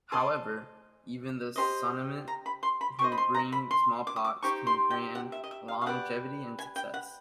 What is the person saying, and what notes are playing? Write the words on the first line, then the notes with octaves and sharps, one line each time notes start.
However, even the Sonnimne, who bring smallpox, can grant longevity and success.
G#4 C5 D#5 A5
G4 C5 D#5
A#5
B5
C6
B5
G4 C#6
C5 D#5
B5
C6
A#5
B5
C6
D6
D#6
D6
D#4 G4 C5 C#6
C6
G5
F#5
E5
D#5
E5
F5
F5
G4 B4 D5 F#5
G#5
G5
F#5